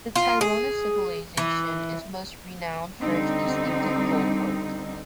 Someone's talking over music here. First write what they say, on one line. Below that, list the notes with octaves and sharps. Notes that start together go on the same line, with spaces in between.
The Tairona civilization is most renowned for its distinctive goldwork.
F4
G#4
E3
D3 G3 C4 D#4